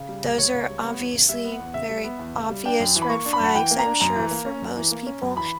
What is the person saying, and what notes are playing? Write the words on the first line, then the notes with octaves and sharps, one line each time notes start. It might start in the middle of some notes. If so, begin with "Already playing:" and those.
those are obviously very obvious red flags, I'm sure, for most people.
Already playing: C#3
G3
C#2
C#2 C#5
C#3
G3
B3
E2
C#3
G3 E5
B3
F#5
E2
C#3 E5
G3
B3
E2
C#3
G3
D4 G5
F#2
E3
B5
A#3 C#6
D4
B5
F#2 F#5
E3 G5
A#3
A#5
D4
F#2 A#5
E3
A#3
C#4
F#2
E3
A#3
C#4
F#2
E3 B5